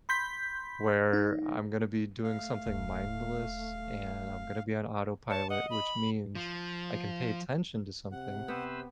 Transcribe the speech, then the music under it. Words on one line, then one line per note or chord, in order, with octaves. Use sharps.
where I'm gonna be doing something mindless, and I'm gonna be on autopilot, which means I can pay attention to something,
B5 C6 G6 B6
D#4
A3 F5
D#1
C#5 A5
D#5 F#5
B5
F3
C3 F#5
B3 G4 B4 C5 E6